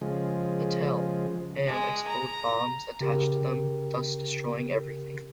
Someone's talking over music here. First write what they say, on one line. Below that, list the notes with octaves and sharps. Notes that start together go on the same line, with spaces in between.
Patel, and explode bombs attached to them, thus destroying everything.
C#3 F3 G#3
G#3
A#5
C#3 G4 A#4